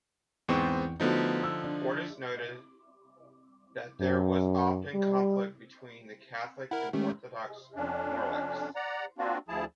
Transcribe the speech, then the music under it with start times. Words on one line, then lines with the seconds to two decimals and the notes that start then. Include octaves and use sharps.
Fortis noted that there was often conflict between the Catholic and Orthodox Morlachs.
0.48 E2 G#2 B3 C4 G5 C#6
1.00 D3 F3 A3 B3 D#4 F#4
1.43 E6
1.64 D4
4.00 F#2
4.94 G3
6.71 E4 A#4 F#5
6.93 D#3 G#3 A3 C#4 G4
7.76 F2 C#4 D4
8.75 D5 F#5 A#5
9.18 A#3 C4 D4 F4 F#4
9.48 D2 F3 E4 G#4 A5